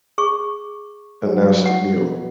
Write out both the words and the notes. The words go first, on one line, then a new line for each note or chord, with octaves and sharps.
a nasty meal.
G#4 C#6
F#3
F#5
B2